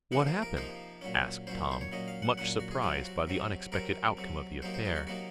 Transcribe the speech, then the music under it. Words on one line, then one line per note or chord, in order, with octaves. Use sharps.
"What happened?" asked Tom, much surprised by the unexpected outcome of the affair.
C3 F3 A#3 D#4 F#5
C5
A#4
C3 F3 A#3 D#4 C5
A#2 F#3 C#4
A#2 F#3 C#4 C5
C5
C#5
A#2 F#3 C#4 D#5
F5
F#5
A#2 F#3 C#4 F#5
F#4
G#4
C3 F#3 C4 F4
F#4
C3 F#3 C4
C3 F#3 C4 A#4
C3 F#3 C4
C3 F#3 A#3 D#4 C5
C5
G#4
F#4
C3 F#3 A#3 D#4 F#4